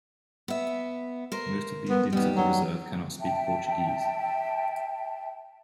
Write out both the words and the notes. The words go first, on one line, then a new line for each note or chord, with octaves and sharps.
Most of the Indians of the reserve cannot speak Portuguese.
B3 E5
A#4 C5
B3
D#2 G3 B3
F#3
E5 G5 A5